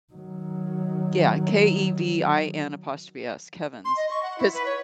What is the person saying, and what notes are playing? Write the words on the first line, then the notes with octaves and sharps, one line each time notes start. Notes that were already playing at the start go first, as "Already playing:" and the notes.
Yeah, K-E-V-I-N, apostrophe S, Kevin's. 'Cause
D#3 F#3
C6
D#5
C#6
F#5
E4
B4
C#5